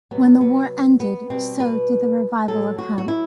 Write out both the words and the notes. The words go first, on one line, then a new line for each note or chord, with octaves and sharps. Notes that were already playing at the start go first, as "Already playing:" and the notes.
When the war ended, so did the revival of hemp.
C3 F#3 B3
B3
B3
B2 G3 C4
B4
A2 F#3 A4
F#4
F#4
E4